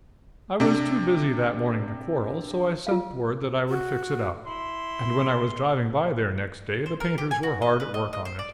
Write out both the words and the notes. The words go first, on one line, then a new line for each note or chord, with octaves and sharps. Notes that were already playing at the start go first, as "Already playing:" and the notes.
I was too busy that morning to quarrel, so I sent word that I would fix it up; and when I was driving by there next day the painters were hard at work on it.
C3 D4
F4 F5
F#4
E4 C6
C5
A#4
G4
G#5
F#4
D#5
B4
D#5
D#5
C5
D5